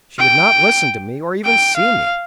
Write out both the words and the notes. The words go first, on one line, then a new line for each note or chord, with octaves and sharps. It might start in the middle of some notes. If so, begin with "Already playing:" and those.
She would not listen to me, or even see me.
G5
G5
F5